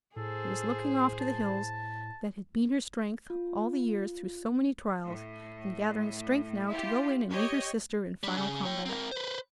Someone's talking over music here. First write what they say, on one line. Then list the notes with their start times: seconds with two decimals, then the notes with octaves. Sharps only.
She was looking off to the hills that had been her strength all the years through so many trials, and gathering strength now to go in and meet her sister in final combat.
0.16 A2 G#4 A4 C5
1.20 A5
3.30 F4
5.07 A2
6.69 E4 F4 G4
7.30 G4 C#5 D#5
8.23 G3 D4
8.37 C#3
8.65 C#5 G5
8.86 C4 A#4
9.12 B4 C5